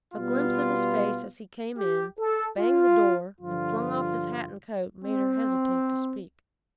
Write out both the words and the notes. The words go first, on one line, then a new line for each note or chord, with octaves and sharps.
A glimpse of his face as he came in, banged the door, and flung off his hat and coat made her hesitate to speak.
B2 G3 B3 F4
G4
A4
F4
G2 D3 F3 F4
C4